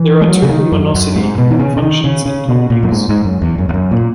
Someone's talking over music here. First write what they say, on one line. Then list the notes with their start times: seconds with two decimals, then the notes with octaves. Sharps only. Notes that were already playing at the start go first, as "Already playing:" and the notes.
There are two luminosity functions in common use.
Already playing: E3
0.21 G#3
0.28 F#3
0.42 C#3
0.49 D#3
0.72 F#2
0.95 F#2
1.16 G#2
1.38 B2
1.51 D#3
1.59 C#3
1.77 C#3
1.82 D#3
2.04 C#3
2.26 C#3
2.49 B2
2.70 A#2
2.83 F#2
2.92 G#2
3.09 G#2
3.25 F#2
3.42 E2
3.58 F#2
3.69 E2
3.74 F#2
3.91 A#2